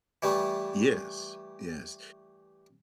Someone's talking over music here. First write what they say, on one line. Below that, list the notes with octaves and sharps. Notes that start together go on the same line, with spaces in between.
Yes, yes,
E3 G3 A3